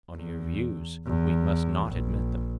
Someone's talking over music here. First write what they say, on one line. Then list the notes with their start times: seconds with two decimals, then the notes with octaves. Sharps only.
On your views, we must not admit them.
0.15 E2
1.06 E2
1.87 A#1